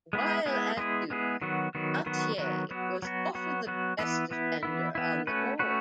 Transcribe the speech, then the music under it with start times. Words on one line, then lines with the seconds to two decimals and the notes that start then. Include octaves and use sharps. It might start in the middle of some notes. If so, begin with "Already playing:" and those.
While at Duke, Battier was often the best defender on the court.
0.13 G#3 B3 E4 G#4
0.46 G#3 B3 E4 G#4
0.77 G#3 B3 E4 G#4
1.10 G#3 B3 E4 G#4
1.42 D#3 F#3 B3 F#4
1.75 D#3 F#3 B3 F#4
2.06 D#3 F#3 B3 F#4
2.38 D#3 F#3 B3 F#4
2.71 F#3 B3 F#4
3.02 F#3 B3 F#4
3.35 F#3 B3 F#4
3.67 F#3 B3 F#4
3.99 E3 B3 E4
4.31 E3 B3 E4
4.63 E3 B3 E4
4.95 E3 B3 E4
5.27 A3 C#4 F#4 B4
5.59 A3 C#4 F#4 B4